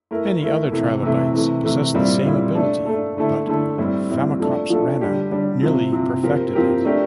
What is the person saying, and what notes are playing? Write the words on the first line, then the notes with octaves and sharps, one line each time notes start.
Many other trilobites possessed the same ability, but "Phacops rana" nearly perfected it.
A3 E4 A#4
A3 E4 A#4
C3 E3 A3 E4
C3 E3 A3 E4
C3 E3 A3
C3 E3 A3
A#2 G3 C4 E4
A#2 G3 C4 E4
A3 D4 A4
A3 D4 A4
D3 A3 E4 A4
D3 A3 E4 A4
A2 G3 C4 E4
A2 G3 C4 E4
F3 A3 D4 A4
F3 A3 D4 A4
D3 G3 D4 G4
D3 G3 D4 G4
C3 F3 C4
C3 F3 C4
F3 C4 G4 A#4
F3 C4 G4 A#4
A3 D4 G4 A#4